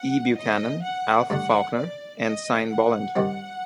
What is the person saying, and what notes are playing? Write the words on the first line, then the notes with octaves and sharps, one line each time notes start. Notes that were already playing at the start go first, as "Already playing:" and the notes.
E Buchanan, Alf Faulkner and Sine Boland.
Already playing: F#5
D#5
F#5
G2 D3 A3 D4 F#5
D5
D#5
F#5
G2 D#3 G3 C4